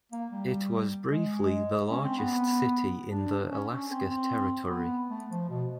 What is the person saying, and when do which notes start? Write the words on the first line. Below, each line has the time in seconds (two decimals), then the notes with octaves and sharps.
It was briefly the largest city in the Alaska Territory.
0.12 A#3
0.32 G3
1.11 G#3
1.91 C#4
2.04 C4
2.17 B3
3.10 D4
3.50 C#4
3.70 C#4
3.90 C4
4.10 C4
4.69 B3
5.09 A3
5.30 F3
5.49 B2